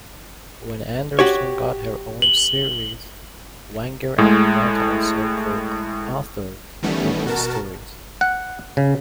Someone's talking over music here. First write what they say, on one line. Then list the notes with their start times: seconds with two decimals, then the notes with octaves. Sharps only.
When Anderson got her own series, Wagner and Grant also co-authored those stories.
1.19 F#4 G4 C#5
2.22 F#7 G7
4.18 A2 G#3
6.83 D#3 E3 G3 A3 B3 C#4
7.25 B2 F#4 A#4 A5
8.21 F#5
8.77 C#3